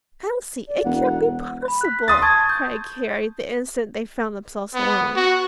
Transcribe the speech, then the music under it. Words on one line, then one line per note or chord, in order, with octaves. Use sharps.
"Elsie, it can't be possible!" cried Carrie, the instant they found themselves alone.
D5
E1 F#5
B5
F#6 B6
C6 D#6 A6
A5 C#6 G#6
G6
B3
F#4